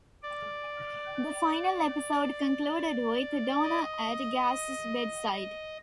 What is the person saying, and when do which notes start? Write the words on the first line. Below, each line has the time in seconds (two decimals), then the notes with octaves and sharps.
The final episode concluded with Donna at Gaz's bedside.
0.23 D5
3.63 D#5
5.33 D#5